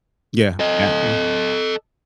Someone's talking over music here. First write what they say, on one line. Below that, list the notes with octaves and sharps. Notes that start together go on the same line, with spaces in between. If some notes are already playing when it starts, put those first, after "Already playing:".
Yeah, yeah, yeah.
A4 D#5